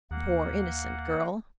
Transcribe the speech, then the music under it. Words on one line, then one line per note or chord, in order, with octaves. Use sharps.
Poor innocent girl.
D#2 A#3 F#5